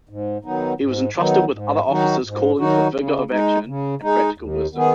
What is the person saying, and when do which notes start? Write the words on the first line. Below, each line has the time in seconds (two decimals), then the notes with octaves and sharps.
He was entrusted with other offices calling for vigour of action and practical wisdom.
0.09 G#2
0.45 D#3 F#3 B3 D#4
0.81 G#2
1.16 D#3 F#3 B3 D#4
1.52 G#2
1.88 D#3 F#3 D#4 F#4
2.23 G#2
2.59 D#3 F#3 D#4 F#4
2.95 C#3
3.31 G#3 D#4
3.66 C#3
4.02 G#3 D#4
4.38 D#2
4.73 D#3 B3 G#4